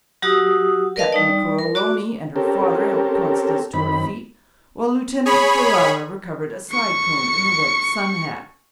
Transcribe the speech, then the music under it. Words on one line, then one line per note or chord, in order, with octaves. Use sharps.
Captain Coroloni and her father helped Constance to her feet while Lieutenant di Ferara recovered a side-comb and the white sun hat.
F#3 F#4 G4 F#5 D#6 E6
A#4 B4 D5 D#5 F5 A5
G3 D#4 D5
A#4
F#4 D5 D6
C4 C#4 G4 A4 A#4
F#2 D#3 C4 B5
G#4 C#5 B5
C#6 C#7